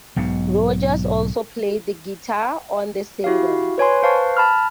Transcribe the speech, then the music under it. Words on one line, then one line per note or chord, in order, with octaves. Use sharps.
Rodgers also played the guitar on the single.
B1 G#2 B2
E4 F#4 G4 F5
B4 C#5 G#5 C6
B4 C5 F5 A5 C#6
A5 B5 F6